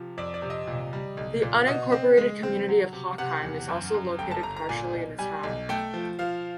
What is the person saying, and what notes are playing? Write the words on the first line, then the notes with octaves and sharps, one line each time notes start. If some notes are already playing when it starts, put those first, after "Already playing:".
The unincorporated community of Hochheim is also located partially in the town.
Already playing: C3 F3
F2 D5
D5
C3
D#5
A#2
G3
B1
A#2
B2 D#5
C4
G#3
C4
F#3
C3
C3 F#5
E2
F#2
F#2
G1 G5
A5
G1 A#5
A#5
A#2 G#5
B1
G3 G#5
B1
A3 G5
F3
F3 F5